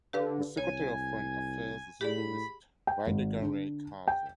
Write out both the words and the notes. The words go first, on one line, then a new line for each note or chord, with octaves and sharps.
The Secretary of Foreign Affairs is Luis Videgaray Caso.
D3 G4 B4 F5
C2 C#5 G#5
A2 G4 G#4 D5 B5
G5
G#1
D3
G5